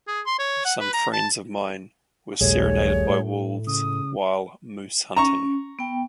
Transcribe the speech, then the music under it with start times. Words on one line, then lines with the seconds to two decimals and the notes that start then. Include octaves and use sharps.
Some friends of mine were serenaded by wolves while moose-hunting.
0.08 G#4
0.26 C6
0.39 C#5
0.65 F#5
0.80 B4
0.93 A#5
1.13 A5
2.41 D#1 A#1 G3 A3 G#4 C#5
3.09 A2
3.67 C#3 D#6
5.17 C#4 A#5 C#6
5.79 B3 G5